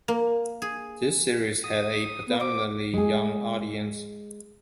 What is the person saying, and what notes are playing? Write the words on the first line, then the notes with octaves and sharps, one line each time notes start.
The series had a predominantly young audience.
A#3
G#4
D#6
B3
C5 D6
G#3 G#4